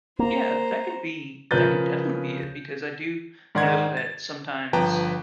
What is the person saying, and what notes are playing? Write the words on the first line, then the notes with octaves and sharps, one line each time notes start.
Yeah, that could be that could definitely be it because I do know that sometimes
A#3 C5 A#5
C#3 F3 A#4 B4 G6 A6
G#2 D#3 D5 F#5 C6 G#6
A6
G1 F3 B4 G5 A5 A#5